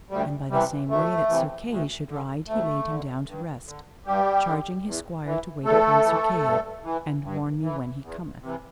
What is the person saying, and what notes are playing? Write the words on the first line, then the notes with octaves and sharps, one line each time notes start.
And by the same way that Sir Kay should ride he laid him down to rest, charging his squire to wait upon Sir Kay; And warn me when he cometh.
D2 G3
C3 E3 G3
D2 A3
C3 E3
D2
D3
D2 A3
D3
G2
D3
G2 G3 G4
D3
E2
E3
E2 A3 A4
E3
G2
E3
G2
E3
E2
C3 E3